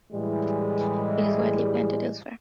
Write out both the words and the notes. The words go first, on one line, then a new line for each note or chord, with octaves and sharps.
It is widely planted elsewhere.
A2 E3 G3 G#3